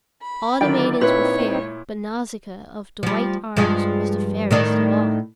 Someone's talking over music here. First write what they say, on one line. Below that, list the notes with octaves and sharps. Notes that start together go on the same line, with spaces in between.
All the maidens were fair, but Nausicaa of the white arms was the fairest of all.
B5
D3 D#3 F#3 E4 D5 G5
A#2 C4 D#4 E4 B4 C#5
F3 G3
G2 F3 G#3
A2 D#3 D4